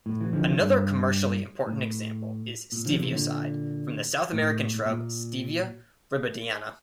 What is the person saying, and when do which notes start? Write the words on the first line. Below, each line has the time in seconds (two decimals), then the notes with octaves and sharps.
Another commercially important example is stevioside, from the South American shrub "Stevia rebaudiana".
0.06 A2
0.21 E3
0.33 D3 F3
0.59 G2
1.67 A2
2.72 A#2
2.85 D3 F3
3.00 C3 E3
3.12 A#2 D3
4.33 A2
4.86 A#2